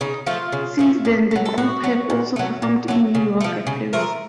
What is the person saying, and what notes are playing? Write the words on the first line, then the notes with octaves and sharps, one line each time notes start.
Since then the group have also performed in New York and Paris.
C#3 D#4
F3 A3 F4
C#3
F3 A3
A2
F#3 A3
A4
A2 F#4
F#3 A3
A#2
F#3 A3
A#2
F#3 A3
C#3
F3 A3
C#3
F3 A3 A#4